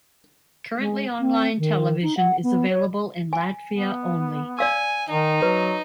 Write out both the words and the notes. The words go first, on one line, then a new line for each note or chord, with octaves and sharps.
Currently Online television is available in Latvia only.
G#3
C4
D#3
D#4
F#5
B3
C#5
G#5
B3
D5 F5 G#5 E6
D#3 D#4
F#3 B4